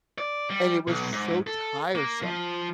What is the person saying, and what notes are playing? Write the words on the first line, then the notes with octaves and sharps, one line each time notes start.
And it was so tiresome,
D5
G3
B1
G#2
A4
A#3
F3